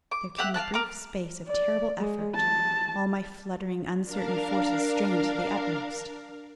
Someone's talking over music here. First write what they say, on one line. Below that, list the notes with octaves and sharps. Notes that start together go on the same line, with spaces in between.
There came a brief space of terrible effort, all my fluttering, uncertain forces strained to the utmost.
D6
G4 E5 F#5 F#6
F5 G5 A5 F#6
A#4 D6
D5
G#3
A5
D4 A#4 F5